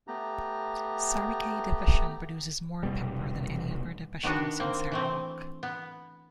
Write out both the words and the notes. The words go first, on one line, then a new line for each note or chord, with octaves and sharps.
Sarikei Division produces more pepper than any other divisions in Sarawak.
A3 B3 G4 A#5
F1 B2 G3
D#3 B3 D4 F#4
A#3 C4
E3 A3 C4
B3